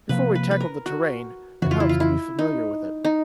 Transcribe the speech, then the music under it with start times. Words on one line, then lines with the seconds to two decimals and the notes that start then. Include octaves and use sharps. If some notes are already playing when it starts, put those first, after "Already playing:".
"Before we tackle the terrain, it helps to be familiar with it."
0.09 C3 F3 A#3 B4
0.35 B4
0.51 B4
0.60 A#4
0.86 F#4
1.62 F2 C#3 E3 F#4
1.71 F4
1.80 E4
1.89 F4
2.00 E4
2.39 D#4
3.04 D#4